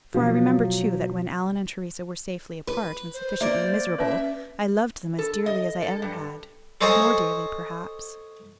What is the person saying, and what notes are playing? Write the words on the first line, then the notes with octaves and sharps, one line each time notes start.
For I remember, too, that when Allan and Theresa were safely apart and sufficiently miserable I loved them as dearly as I ever had, more dearly perhaps.
B2 F3 F#3
B4
C5
A#3 D5 E5
C#4 B4 E5
A4
D#5
A4
G2
A4 C5 C#5 D#5 G#5 A#5